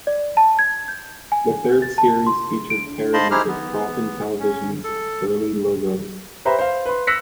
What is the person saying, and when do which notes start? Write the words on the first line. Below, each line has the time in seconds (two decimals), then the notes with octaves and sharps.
The third series featured parodies of Carlton Television's early logos.
0.07 D5
0.37 A5
0.59 G#6
0.88 G6
1.32 G#5
1.82 A6
1.98 A5
2.27 C6
2.70 D7
3.14 C5 D#5 F5 A5 B5 C6
3.31 D#4 E4 G4 G#4 C5 F6
3.48 B3
4.39 C#4
4.84 A4
6.45 G4 B4 C5 E5 A#5 B5
6.59 C5 F5
6.86 B4 C6
7.07 E6 F#6 A#6 B6 C#7